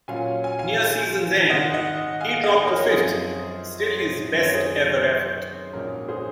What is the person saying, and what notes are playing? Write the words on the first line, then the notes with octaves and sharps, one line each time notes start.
Near season's end, he dropped to fifth, still his best ever effort.
A#2 F#3 C#4 F4 F5 G#5
G#5
F5 G#5
G#2 D#3 G#3 D#5 F#5
D#5 F#5
F5 G#5
D#5 F#5
A#4 C#5
A#4
F#2 F3 C4 F4 G#4 C5
F#2 D#3 F#3 C4 C5
C#5
G#4 C5
A#1 G#2 F#3 A#3 C#4 A#4
G#4 C5